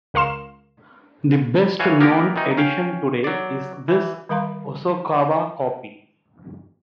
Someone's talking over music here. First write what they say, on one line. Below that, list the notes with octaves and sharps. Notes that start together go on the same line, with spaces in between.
The best known edition today is this Hosokawa copy.
C#2 A#4 F5 C6 E7
E3 F#4 C#5 F5 G#5 A5
A#3 B3 G4 A#4
D#3 E3 D#4
C#4 F5 G5
F#3 D5
E3
D#3 G3 A#4 F5 A#5 C6